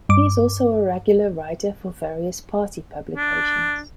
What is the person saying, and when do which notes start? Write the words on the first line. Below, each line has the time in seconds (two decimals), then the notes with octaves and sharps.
He is also a regular writer for various party publications.
0.09 G2 D6
3.15 D4